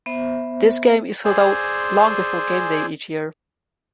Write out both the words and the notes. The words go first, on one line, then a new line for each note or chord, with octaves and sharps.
This game is sold out long before gameday each year.
B3 C5 E5
G#4 C5 D5 G#5 C6 E6